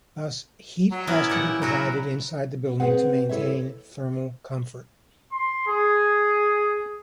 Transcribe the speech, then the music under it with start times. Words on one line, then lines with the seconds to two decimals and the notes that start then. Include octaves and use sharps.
Thus heat has to be provided inside the building to maintain thermal comfort.
0.92 F#3
1.07 B3 C#4 E4 A#4
1.30 A#2 G4 F#5
1.62 F#3 F#4 A#4
2.80 C4 G#4 B4 F#5
3.29 E4 A4 C#5 E5
5.32 C6
5.67 G#4